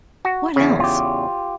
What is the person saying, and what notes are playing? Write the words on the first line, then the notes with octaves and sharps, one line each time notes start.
"What else?"
F#4
E2 C#3
F4 G4